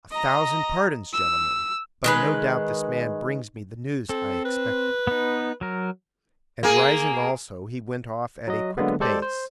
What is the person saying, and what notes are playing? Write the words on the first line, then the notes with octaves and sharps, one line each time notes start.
"A thousand pardons, gentlemen; but no doubt this man brings me the news I expected." And rising also, he went off at a quick pace.
D#5 A#5
E6
D#3 G#3 B4
C4 A4
B4
B3 D#4
F#3 A#4
A#3 G#4
F#3 D#5
D3 F#3 G#3 A#3 B3
G#3 G4 A4 C5 D5
C5